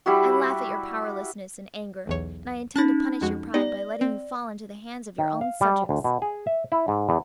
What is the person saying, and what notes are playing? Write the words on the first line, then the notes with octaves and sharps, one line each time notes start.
"I laugh at your powerlessness and anger, and I intend to punish your pride by letting you fall into the hands of your own subjects."
G3 E4 F#4
B1 E2 C#5
C#4 D#4 F#6 A6 A#6
F2 G#3 F#4
B3 D#4 G4 D5
C4
D#3
F5
G3
D2
B2
G#4
E5
E4
G#2
E2